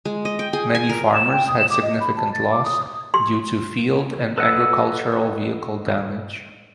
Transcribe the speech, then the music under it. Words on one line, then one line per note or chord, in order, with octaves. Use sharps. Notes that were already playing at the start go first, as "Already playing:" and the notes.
Many farmers had significant loss due to field and agricultural vehicle damage.
G#3
D#5
G5
G#4
G#5
A#4
E7
G5
D#6
E7
D6
D#5
B5
A5
A6
D6
D#6
C6
A4 B4 D#5 F#5 E6